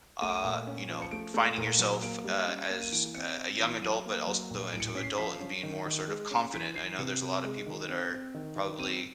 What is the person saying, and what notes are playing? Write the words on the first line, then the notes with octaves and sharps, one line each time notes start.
uh, you know, finding yourself, uh, as a a young adult, but also into adult and being more sort of confident. I know there's a lotta people that are probably,
A3 D#7
D7
D#7
A#2
C#4
F3
C#7
A3 D7
A3
A#2
F#3
A#3 D7
G3
C#4
A#3
D#7
E3 D7
C4 C#7
C4
E3
F#3 D#7
A#3
F#3
A#2
A2 D7
C#7
D7
C#4 B6
C7
F3 B6
C#4
D#3
D#3
G#3
C#4
E3 B6
E3 C7
C3 C#7
C3
G#3
D#3
C4
C4
D#3
D#3
C4 D#7